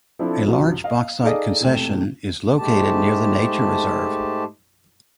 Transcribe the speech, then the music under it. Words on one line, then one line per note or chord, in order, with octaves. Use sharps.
A large bauxite concession is located near the nature reserve.
F3 C4 D4 E4 A4
C2 F#2 F3 F#3
D#5 F5
D#4 G#4 A4 D5 D#5 F5
E1 C3 A3 G5
G#2 G#3 A3 G4 A5